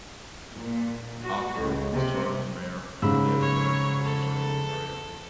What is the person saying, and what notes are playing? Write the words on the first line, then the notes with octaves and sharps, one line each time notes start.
After his term as mayor, he later moved to Windsor, Ontario.
A#2
F#4
C#2
C3
G#2 C#3 B5 E6
C#5
A4